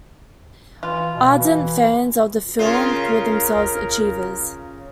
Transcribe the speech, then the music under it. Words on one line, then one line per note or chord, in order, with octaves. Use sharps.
Ardent fans of the film call themselves "achievers".
E3 F4
B2
E3
C#3 F4 A#4